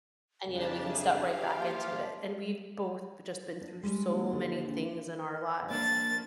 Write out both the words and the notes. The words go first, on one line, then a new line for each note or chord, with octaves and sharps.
and, you know, we can step right back into it, and we've both v just been through so many things in our lives.
F2 C#3 D4 G4 C#5 A5
G#4 E5
G4 F5
F3 A#3 F4
D4
G3 G#3
D#2
D3
A#1
A#3 D4 A6